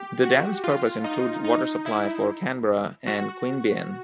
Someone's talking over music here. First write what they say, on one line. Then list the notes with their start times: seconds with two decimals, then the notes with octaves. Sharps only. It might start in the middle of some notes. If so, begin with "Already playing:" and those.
The dam's purpose includes water supply for Canberra and Queanbeyan.
Already playing: G4
0.23 F#4
0.64 F4
1.04 D#4
1.45 D#4
1.86 E4
3.07 F#4